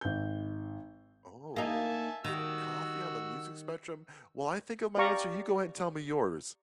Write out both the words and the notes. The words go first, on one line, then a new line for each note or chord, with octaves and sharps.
Oh, for coffee on the music spectrum. While I think of my answer, you go ahead and tell me yours.
G#1 G6
A#3 D#4 E5 G#5 A5
D#3 G3 F#4 E6
G4 D5 F5 A#5 C#6